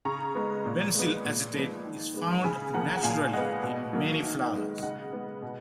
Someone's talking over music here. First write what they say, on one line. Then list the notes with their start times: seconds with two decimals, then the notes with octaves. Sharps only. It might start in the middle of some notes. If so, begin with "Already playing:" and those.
Benzyl acetate is found naturally in many flowers.
0.05 C#3 A#5 C#6
0.35 G#3 B3
0.65 A#2
0.95 G#3 B3
1.25 A#2
1.54 F3 G#3 B3
1.84 D#3
2.14 G#3 B3
2.44 C#3 G#5 B5
2.73 F3 A#3 F#5 A#5
2.97 F#5
3.03 A#2 F5 G#5
3.33 G#3 B3 D#5 F#5
3.63 B2
3.93 F#3 A#3
4.24 D#3
4.53 G#3 B3
4.83 C#3 D#5 F#5
5.13 G#3 B3
5.42 B2